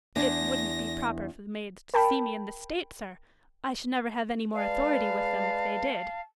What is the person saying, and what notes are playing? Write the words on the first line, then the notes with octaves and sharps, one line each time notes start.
It wouldn't be proper for the maids to see me in this state, sir; I should never have any more authority with them if they did.'
E2 D4 A#6
A#4 G5 A5 B5
G#3 B4 D5 F5 A5